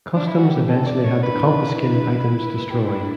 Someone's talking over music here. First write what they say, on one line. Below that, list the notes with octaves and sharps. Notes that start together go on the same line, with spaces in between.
Customs eventually had the confiscated items destroyed.
D4
E4
F#4
D4 G4
A4
D5
C#5
E4 B4
D4 G4
B4